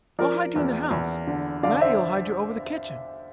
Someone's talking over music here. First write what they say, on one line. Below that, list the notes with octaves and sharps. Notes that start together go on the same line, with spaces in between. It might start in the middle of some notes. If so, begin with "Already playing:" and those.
I'll hide you in the house--Matty'll hide you over the kitchen.
F3 A#4 D5
E2
E2
D3
D3 D5 F5
C5 E5